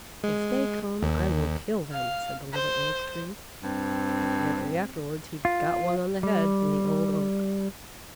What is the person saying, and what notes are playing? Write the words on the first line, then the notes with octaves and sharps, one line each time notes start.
"If they come, I will kill them," said the Little Oak Tree, but directly afterwards he got one on the head from the Old Oak.
G#3
D#2
F5
C5
G2 C4
F4
G3